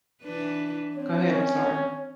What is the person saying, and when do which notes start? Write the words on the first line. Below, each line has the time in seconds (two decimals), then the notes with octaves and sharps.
go ahead, I'm sorry.
0.22 E3 D4 B4
0.96 C4 C#5
1.30 C#4